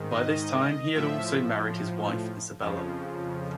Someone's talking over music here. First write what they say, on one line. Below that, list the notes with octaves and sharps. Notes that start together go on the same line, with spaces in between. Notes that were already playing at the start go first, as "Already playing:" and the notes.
By this time he had also married his wife Isabella.
Already playing: G#2 D#3
D#5
A2 F3 E5
F2 C#3 F3